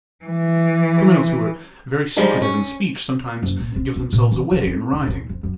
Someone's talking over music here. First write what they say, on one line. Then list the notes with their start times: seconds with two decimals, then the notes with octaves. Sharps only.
Criminals who are very secretive in speech sometimes give themselves away in writing.
0.24 E3
2.16 G#2 F3 G3 G#3 D#4
2.42 C#4
3.43 F#1
3.59 A#2
3.76 C4
3.96 F4
4.13 A#2
4.32 E3
4.52 E3
4.65 C4
4.93 F1
5.08 A#2
5.29 F2
5.43 F#2